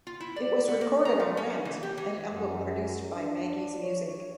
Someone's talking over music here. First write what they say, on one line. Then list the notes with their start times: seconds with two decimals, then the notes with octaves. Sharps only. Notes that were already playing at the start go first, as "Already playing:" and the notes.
It was recorded on "Rant", an album produced by Maggie's Music.
0.07 F4
0.20 E4
0.36 D5
0.68 B3
0.81 A#3
1.05 A#5
1.20 A3
1.37 C#4
1.65 E3
1.83 G4
1.97 E3
2.34 F#2
3.13 D4
3.80 C#5